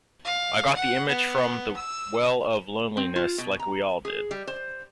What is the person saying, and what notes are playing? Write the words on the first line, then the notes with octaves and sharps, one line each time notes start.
I got the image from "The Well of Loneliness", like we all did.
F5
F#5
B3
E6
C4
F4
B2
A#5
G#4
G3
C5